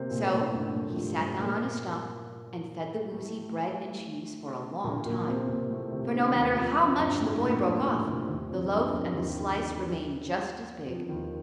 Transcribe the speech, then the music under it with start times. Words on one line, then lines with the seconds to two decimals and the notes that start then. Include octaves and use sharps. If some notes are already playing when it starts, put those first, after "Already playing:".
So he sat down on a Stump and fed the Woozy bread and cheese for a long time; for, no matter how much the boy broke off, the loaf and the slice remained just as big.
Already playing: C3 A#3 C4
0.11 A#2 A#3
0.32 A2 A3
0.54 G2 G3
0.75 A2 A3
0.88 F3
0.96 G2 G3
1.18 G2 G3
1.40 A#2 A#3
3.12 A2 A3
4.84 A#2 A#3
5.05 A#2 A#3
5.27 C3 C4
5.49 A#2 A#3
5.70 A2 A3
5.92 C3
6.14 D3
6.35 D#2 D#3
6.56 F2 F3
6.78 F2 F3
6.99 G2 G3
7.21 A2 A3
7.42 A#2 A#3
7.85 A#2 A#3
8.06 C3
8.29 D#2 D#3
8.50 F2 F3
8.71 G2 G3
8.93 F2 F3
9.14 D#2 D#3
10.87 F2 F3
11.09 D#2 D#3